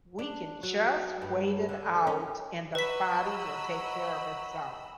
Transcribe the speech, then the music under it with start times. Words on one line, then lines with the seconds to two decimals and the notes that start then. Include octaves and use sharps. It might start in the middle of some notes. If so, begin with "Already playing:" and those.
we can just wait it out and the body will take care of itself.
0.19 D4
0.63 F#3
1.22 G2
1.69 D3
2.07 C#4
2.75 F#3 B4 D#5 B5 E6 B6